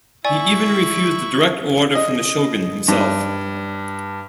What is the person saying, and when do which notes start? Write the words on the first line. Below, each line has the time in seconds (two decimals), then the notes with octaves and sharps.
He even refused a direct order from the Shogun himself.
0.25 E4 D5 G#5 C#6
1.95 D#5
2.88 G2